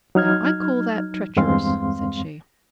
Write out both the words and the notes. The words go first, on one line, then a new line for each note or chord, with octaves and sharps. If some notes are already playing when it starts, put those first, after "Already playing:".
'Now, I call that treacherous,' said she.
F#3 D#4 F6 G#6
E2 G2 G#3 C4 F5 C6